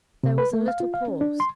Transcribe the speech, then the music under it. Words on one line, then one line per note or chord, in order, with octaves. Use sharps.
There was a little pause.
C3
B4
A3
F5
F4
F5
C#4
D4
C6